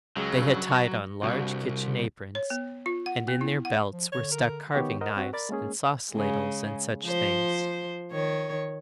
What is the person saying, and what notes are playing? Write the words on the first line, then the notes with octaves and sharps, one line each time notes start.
They had tied on large kitchen aprons, and in their belts were stuck carving knives and sauce ladles and such things.
C#2 F#3 G#4 E6
G2 C#3
C#6 A#6
C2 G2 F#4
C#5
B3
F4
F#5
B3
E4
F#5
F3
D3 C#5
A#4
D#3 B3 G4 C#5 G5 C#6
A#4 C5 D#5 F#5
C4 F#4
A#4 D5 B5 A6
G#3 A#3 C#4 G#4
C#3 G#3
F3 C5
D#3 C#5